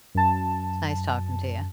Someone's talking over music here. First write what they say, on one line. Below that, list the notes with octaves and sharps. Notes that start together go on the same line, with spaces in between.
it's nice talking to you
F#2 A5